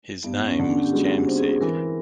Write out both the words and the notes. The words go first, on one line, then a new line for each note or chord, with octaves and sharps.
His name was Jamseed.
G2 B3
C#4
D3
D4
G4
G#3 F#4
G4
C4
G#4
E3 A#4